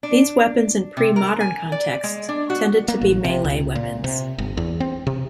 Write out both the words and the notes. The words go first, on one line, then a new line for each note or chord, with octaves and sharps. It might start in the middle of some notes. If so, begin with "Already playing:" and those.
These weapons in pre-modern contexts tended to be melee weapons.
D4
C3
A#4
G#5
D5
G#3
D4
F#4
A#3
A1
C3
C#2
A#2
C3
G1
E2
C4
C3